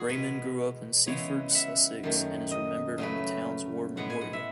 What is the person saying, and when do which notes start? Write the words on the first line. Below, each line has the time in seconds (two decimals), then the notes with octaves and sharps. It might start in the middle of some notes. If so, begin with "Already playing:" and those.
Raymond grew up in Seaford, Sussex, and is remembered on the town's war memorial.
Already playing: E2 F#4 G#4 D#5
0.09 B2 G#3 B3 B4
1.06 C#3 E3 G#3 B3 C#5
1.50 E5 F#5
2.04 F#2 D#3 A3
2.51 D#5
2.98 C#3 F#3 A3 B4
3.97 A2 G#3 B3 F#5
4.10 G#5
4.21 F#5
4.33 E5